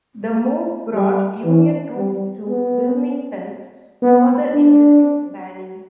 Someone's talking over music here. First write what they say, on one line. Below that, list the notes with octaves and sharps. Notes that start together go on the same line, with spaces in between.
The move brought Union troops to Wilmington, further enriching Banning.
G3
E3
G3
B3
B3
D4